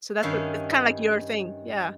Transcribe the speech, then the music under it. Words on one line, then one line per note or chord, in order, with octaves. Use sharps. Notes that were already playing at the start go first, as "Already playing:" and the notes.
So, that's what it's kinda, like, your thing, yeah.
G2 D#3 C#4 E5 F5